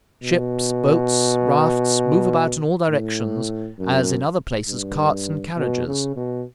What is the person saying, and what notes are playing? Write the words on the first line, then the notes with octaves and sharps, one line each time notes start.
Ships, boats, rafts, move about in all directions, as in other places carts and carriages.
B2
A2
F#2
G2
B2
C#3
B2